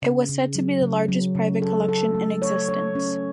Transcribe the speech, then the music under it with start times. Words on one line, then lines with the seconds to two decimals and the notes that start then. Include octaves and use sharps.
It was said to be the largest private collection in existence.
0.02 C#3
0.29 C#3
0.55 F#3
0.82 C#3
1.08 F#3
1.35 C#3
1.62 A4
1.88 A4
2.15 A3
2.42 C#5
2.69 C#5
2.95 C#4